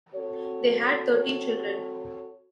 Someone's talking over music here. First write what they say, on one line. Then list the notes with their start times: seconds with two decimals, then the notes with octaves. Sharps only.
They had thirteen children.
0.15 C4 F#4 A4 C#5